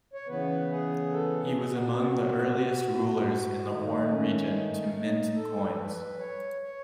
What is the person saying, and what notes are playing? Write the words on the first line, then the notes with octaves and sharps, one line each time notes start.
He was among the earliest rulers in the Horn region to mint coins.
C#5
C#3 E3 B3 B4
G#4
A4
G#4
F#4
D#3 A3 D#4
C#4
D#4
D#4
A4
B4
C#5
C#5